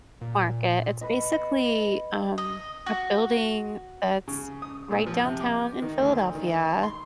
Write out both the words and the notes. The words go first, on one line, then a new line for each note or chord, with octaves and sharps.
market, it's basically, um, a building that's right downtown in Philadelphia
A#2
B4 D#5
D#5
F#4
C#3
D#6
A#2
F3
C3
D6
D#3
D2
D#3
C6